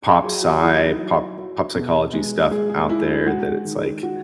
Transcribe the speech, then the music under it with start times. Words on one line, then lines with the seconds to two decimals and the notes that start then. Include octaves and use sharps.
pop psy pop pop psychology stuff out there that it's like
0.24 F#3 G#4
0.42 F#4
0.61 F#3 E4
0.81 D#4
0.99 F#3
1.38 F#3
1.75 B2
2.13 G#3
2.51 G#3 G#4
2.70 G#4
2.89 G#3 E4
3.26 G#3 F#4
3.65 D#3
4.02 D#3 F#4